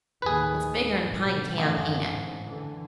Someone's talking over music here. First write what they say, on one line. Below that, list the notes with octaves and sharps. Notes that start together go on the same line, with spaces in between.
"It's bigger'n Pine Camp, ain't it?"
D#2 A2 D#3 G#4 B4
G#2 B2
A1 F#2 D3
G#2
D3 E3